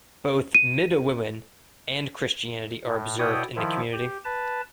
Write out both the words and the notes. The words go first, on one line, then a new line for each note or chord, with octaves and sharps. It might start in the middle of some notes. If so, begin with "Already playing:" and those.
Both Midewiwin and Christianity are observed in the community.
D#7
A2
B2 E4 C#5 D5 G5 D#6
D#3 F3 E4
G4
B4 A5